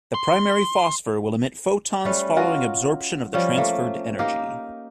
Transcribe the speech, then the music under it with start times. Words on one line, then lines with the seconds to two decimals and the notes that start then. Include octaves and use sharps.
The primary phosphor will emit photons following absorption of the transferred energy.
0.14 C6
2.05 G3 A3 C#4 B4
2.36 F4 F#4 A#4 D#5
3.34 F3 G3 C#4
3.57 A3 A#3
4.19 A#3 D#4 G4 A#4